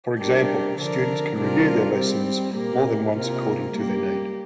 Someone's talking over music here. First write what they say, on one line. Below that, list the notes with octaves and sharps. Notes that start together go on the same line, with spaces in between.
For example, students can review their lessons more than once according to their need.
G3 D4 G4 A#4
D3 F3 D4 A#4
C3 G3 D4 F4 A#4
G3 C4 G4
A#2 A#3 G4 A#4
C3 A#3 F4 A#4
G3 A#3 G4